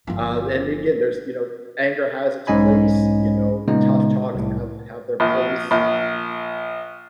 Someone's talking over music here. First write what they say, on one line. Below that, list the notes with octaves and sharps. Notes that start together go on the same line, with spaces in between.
uh, and again, there's, you know anger has its place, you know, tough talks have have their place,
G1 F3
B1 G#2 C#4 D#5 G#5 B5
A#2 C#3 G#3 B3 D#4
C2 A2
A#1
A#1